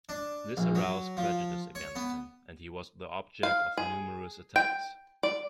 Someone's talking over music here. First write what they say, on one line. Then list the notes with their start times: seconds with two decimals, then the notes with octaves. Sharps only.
This aroused prejudice against him, and he was the object of numerous attacks.
0.09 D4
0.57 A#1
0.75 F#3
1.17 F3
1.75 C#5
1.96 B3
3.43 F5
3.77 G#4
4.56 G5
5.23 D5